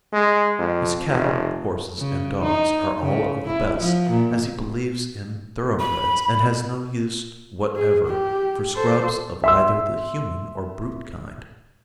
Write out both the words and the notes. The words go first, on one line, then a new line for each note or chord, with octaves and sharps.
His cattle, horses and dogs are all of the best, as he believes in thoroughbreds and has no use whatever for scrubs of either the human or brute kind.
G#3
F2
F1
C#3
D#4
C#3
E4
F3
A#2
B5
G#4
G4
A4 C5
E5 C6 E6